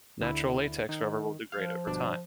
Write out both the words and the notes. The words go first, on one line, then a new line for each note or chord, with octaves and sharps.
Natural latex rubber will degrade over time.
D2 D3 E4
D#3
F3 F5
G1 B2 D4